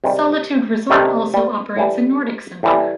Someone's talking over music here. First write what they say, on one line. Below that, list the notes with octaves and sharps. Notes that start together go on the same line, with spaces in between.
Solitude Resort also operates a nordic center.
C3 D#3 G3 G#3
C3 D#3 G3 A3
G3
A2 E3 G3
A2 E3 G3